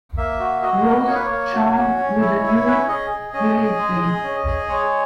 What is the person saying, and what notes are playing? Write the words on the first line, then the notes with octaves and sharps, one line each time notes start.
Rose charmed with the new plaything.
A#3 E5
F#4
F#4 D#5
A#3
A#3 C#5
B4
C#5
A#3
F#4
C#4
C#4
E4
E4
C#4 B4
C#5
G#4 D#5
G#4
C#4 D#5
G#4
G#3
G#4
C#4
G#4
G#3 C#5